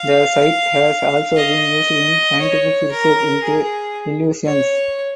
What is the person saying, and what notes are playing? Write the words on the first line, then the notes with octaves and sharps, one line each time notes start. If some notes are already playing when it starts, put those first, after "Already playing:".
The site has also been used in scientific research into illusions.
Already playing: F5
D#5
C#5
A#4
G#4
C#5